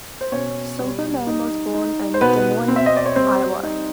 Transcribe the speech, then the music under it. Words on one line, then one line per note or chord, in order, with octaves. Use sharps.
Silberman was born in Des Moines, Iowa.
C5
B2 C#4 C#5
G3
D#4
D#4
C5
B2 B3 B4
C4
E5
D#5
D5
C#5
G3 C4 C5
D#4